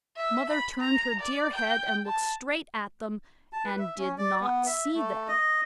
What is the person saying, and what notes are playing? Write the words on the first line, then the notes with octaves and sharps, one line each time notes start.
Mother turned her dear head and looked straight at them, and DID NOT SEE THEM!
E5
B5
A#5
D5
G5
A5
A5
B4
E5
C#4
D5
B3
E5
A3
D#5